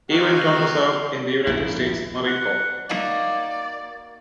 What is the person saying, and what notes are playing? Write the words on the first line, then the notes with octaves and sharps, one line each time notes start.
He went on to serve in the United States Marine Corps.
F#3 D#4 F#4 G4 F5
A#1 D#2 G#2 E4
F#5
A#3 D#4 F#4 D5